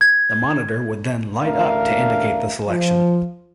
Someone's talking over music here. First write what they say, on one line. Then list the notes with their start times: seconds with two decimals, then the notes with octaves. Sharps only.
The monitor would then light up to indicate the selection.
0.01 G#6
1.43 A1 D2 D4 A#4 E5 F5
2.68 F3